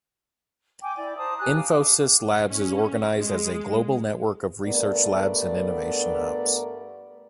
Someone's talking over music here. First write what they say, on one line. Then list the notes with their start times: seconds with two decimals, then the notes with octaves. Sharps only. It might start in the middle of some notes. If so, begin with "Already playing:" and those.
Infosys Labs is organized as a global network of research labs and innovation hubs.
0.81 G5 G#5 D6
0.97 E4 D5
1.16 C5 A5 A#5 D#6
1.40 G4 G#5 F#6
1.55 F5 A5 D6
2.49 C#4
3.20 G#3
4.65 G2 A3 B3 A#4 D5